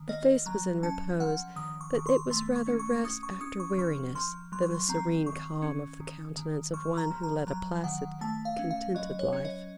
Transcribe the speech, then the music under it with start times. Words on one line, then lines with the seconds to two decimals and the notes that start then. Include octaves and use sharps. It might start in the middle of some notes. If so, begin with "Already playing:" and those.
The face was in repose; but it was rather rest after weariness, than the serene calm of the countenance of one who led a placid, contented life.
Already playing: D#3
0.09 A#3 D#5
0.46 F#3 A#5
0.83 C#4 A5
1.20 F3 F#5
1.56 D#3 D#6
1.81 C#6
1.94 D#3 C#6
2.07 C6
2.30 A3 C6
2.56 C#6
2.67 C#4
2.79 C#6
3.04 C#4 D#6
3.23 C#6
3.41 C#4 D#6
3.60 C#6
3.78 F3 C#6
4.15 F3 C6
4.52 F#3 C6
4.63 C#6
4.74 C6
4.89 C4 A#5
5.26 D#3 C#6
5.62 C#4
6.00 D#3
6.37 D#3
6.73 F3 C#6
6.98 A#5
7.10 F3
7.23 A#5
7.47 F#3 A#5
7.84 D#3 F#5
8.21 A3 A5
8.45 F5
8.59 C#4
8.71 F5
8.95 F#3 D#5
9.19 C#5
9.33 C#4
9.45 D#5